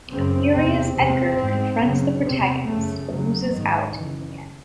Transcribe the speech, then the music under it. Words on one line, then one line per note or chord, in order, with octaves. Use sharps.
A furious Edgar confronts the protagonist, but loses out in the end.
F#2 C#3 C4
E2 C3 C4
E2 C3 C4
G#2
F#2 C#3
E2 C3 C4
F#2 C#3 A3
E2 C#3 F#3
G#2 D#3
F#2 C#3 E3